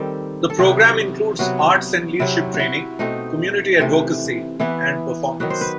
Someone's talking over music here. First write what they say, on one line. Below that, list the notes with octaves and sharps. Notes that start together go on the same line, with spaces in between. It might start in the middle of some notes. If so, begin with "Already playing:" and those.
The program includes arts and leadership training, community advocacy, and performance.
Already playing: D#3 G3 C4 A4
A4
C3 F#3 B3 G4
C3 F#3 B3 F#4
C3 F#3 C4 E4
F#4
E4
B2 A3 C4 D#4
C3 E3 A3 C4
E3 B3 E4
D#3 F#3 B3 F#4
C5
B4